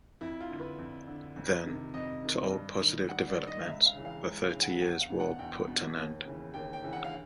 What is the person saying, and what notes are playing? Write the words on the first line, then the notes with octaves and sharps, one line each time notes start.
Then, to all positive developments the Thirty Years' War put an end.
F2 E4
F4
D3
B4
F2
D3
F2
C3 D#3
F2 D#5
C3 D#3
G2
D#3
G2 F#5
D5
D#3
D#5
F5
C#2 E5
F5
C#3 E3
F5
C#2
F5
C#3 E3
F#5
E2 F#5
F5
B2
F#5
E2 G5
B2
D#2
C#3 E3
D#2 G5
G5
C#3 E3
F#5
F5